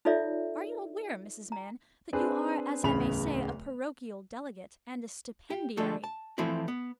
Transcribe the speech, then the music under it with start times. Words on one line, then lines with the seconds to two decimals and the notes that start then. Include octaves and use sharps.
Are you aweer, Mrs. Mann, that you are, as I may say, a porochial delegate, and a stipendiary?'
0.05 D#4 F4 A4 C#5 D5 E5
1.52 A#5
2.13 C4 D4 G#4 B4
2.83 D1 A1 E2 C#3 B5 F7
5.50 G4
5.77 D3 F3 G#3 A3 A4
6.04 A5
6.38 E3 F3 A3 C4 E4
6.68 B3